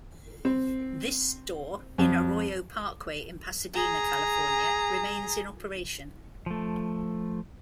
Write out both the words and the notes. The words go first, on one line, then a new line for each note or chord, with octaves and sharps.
This store, on Arroyo Parkway in Pasadena, California, remains in operation.
C4
F2
G#4 A#5
F3 A3